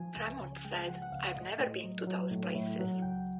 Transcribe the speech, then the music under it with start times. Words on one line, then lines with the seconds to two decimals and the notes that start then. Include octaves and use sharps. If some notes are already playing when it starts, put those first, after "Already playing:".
Drummond said I've never been to those places.
Already playing: F3 G#5
0.17 C#2
0.41 C#3
0.65 G#3 G5
0.88 F3 F#5
1.02 F#5
1.12 C#2 F5
1.36 A2 D#5
1.60 A2
1.84 F#3
2.07 F#3
2.31 A2
2.55 A2
2.79 F#3 F#5
3.02 C#2 G5